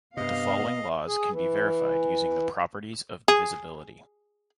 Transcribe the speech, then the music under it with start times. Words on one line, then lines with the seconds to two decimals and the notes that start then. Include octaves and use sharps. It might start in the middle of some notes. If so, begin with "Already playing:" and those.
The following laws can be verified using the properties of divisibility.
0.17 G2 C3 B3 D#5 F5
1.07 G#4
1.32 E3
3.28 G#4